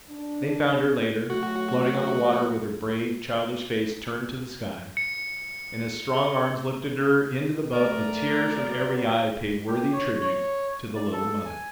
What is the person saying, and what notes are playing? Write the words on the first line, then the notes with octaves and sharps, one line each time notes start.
They found her later, floating on the water with her brave childish face turned to the sky; and as strong arms lifted her into the boat, the tears from every eye paid worthy tribute to the "little mother."
D4
F#3 A3 F#4
C#7
D2 A3 A#4 D5
F#3 F#4 B4
G4
C#5
C#5
D5
A4
G#5